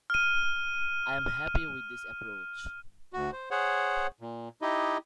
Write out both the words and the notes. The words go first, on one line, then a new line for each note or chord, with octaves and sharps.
I'm happy with this approach.
F6 D#7
D2 F#4
C5
G#4 C5 C#5 F#5
A#2
D#4 E4 G4 D#5